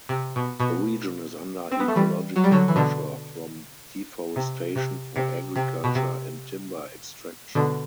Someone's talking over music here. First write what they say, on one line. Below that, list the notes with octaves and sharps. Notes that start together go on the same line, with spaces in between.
The region is under ecological pressure from deforestation for agriculture and timber extraction.
C3
B2
B2
C4
B3
A3
E3 G3
F#3
G3
D3 F#3
E3
B2 D3
C3
C3
C3
C3
B2
C3
B2 D3